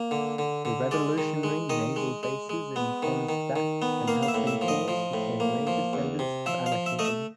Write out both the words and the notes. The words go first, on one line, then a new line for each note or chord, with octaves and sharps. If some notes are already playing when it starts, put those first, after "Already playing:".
The revolutionary naval bases in Kronstadt and Helsingfors became major centers of anarchism.
Already playing: A#3
D3
D3
D3
G#3 D5
D#3
G#3
D#3 D#5
G#3
G#3
G#3
B3
D#3
D#3
D#3
B3
A#3 F5
F5
E5
A2
E5
F3
D#5
F3
A2
A#3
F3
E2
C3
F3 E5
F5
F3
E5
A3 D#5
E5